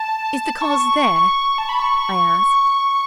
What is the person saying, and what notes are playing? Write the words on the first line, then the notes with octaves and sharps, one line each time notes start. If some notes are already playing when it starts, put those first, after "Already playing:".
"Is the cause there?" I asked.
Already playing: A5
C#6
A5
B5
C#6